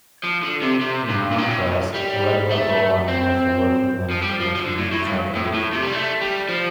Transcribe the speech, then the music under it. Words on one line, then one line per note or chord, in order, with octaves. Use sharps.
In contrast, a regular bowline has the working end finishing inside the loop.
F3
D3
C3
C3
G2
G2
A2
G3
A3
C4
F3
G3
F3
F3
D3
A2
A2
G2
A2
A2
C3
G3
A3
G3
F3